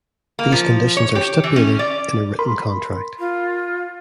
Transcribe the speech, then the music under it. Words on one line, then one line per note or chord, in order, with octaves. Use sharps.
These conditions are stipulated in a written contract.
A#3
F3
C#5
G4
E3
C#4
D5
A#4 B5 C6
F4